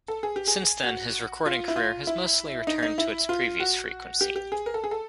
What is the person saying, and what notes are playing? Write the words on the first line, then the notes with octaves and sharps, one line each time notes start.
Since then his recording career has mostly returned to its previous frequency.
A4
G#4
G4
G#4
F#4
F4
E4
F4
E4
D#4
D#4
E4
F4
F#4
G4
G4
G#4
A#4
A4
G#4
A4